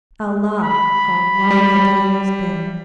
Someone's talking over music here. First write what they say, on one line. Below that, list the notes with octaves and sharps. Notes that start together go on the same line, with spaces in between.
Allah! how long the day has been....
B5
G3